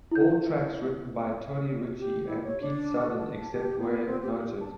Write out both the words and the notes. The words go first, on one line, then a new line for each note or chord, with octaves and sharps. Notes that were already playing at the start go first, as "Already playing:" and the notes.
All tracks written by Tony Ritchie and Pete Southern, except where noted.
E4 G6
G4
E4
C#5
D4
F#4
A5
G4
B3
C4
G4
A5